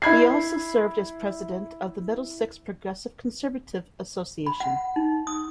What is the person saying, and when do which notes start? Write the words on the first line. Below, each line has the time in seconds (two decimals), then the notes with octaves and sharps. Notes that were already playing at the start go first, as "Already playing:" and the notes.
He also served as president of the Middlesex Progressive Conservative Association.
0.02 E4 B5 G#6 C7
4.46 B5
4.60 F#5
4.96 D#4
5.27 D#6